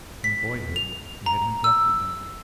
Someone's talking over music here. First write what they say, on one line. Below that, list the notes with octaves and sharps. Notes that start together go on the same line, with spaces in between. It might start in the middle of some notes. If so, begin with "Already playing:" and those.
From boyhood he had neglected them.
B6
F7
A#5
E6